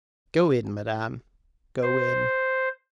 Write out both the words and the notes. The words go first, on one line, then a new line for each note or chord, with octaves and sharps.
"Go in, madam, go in."
C5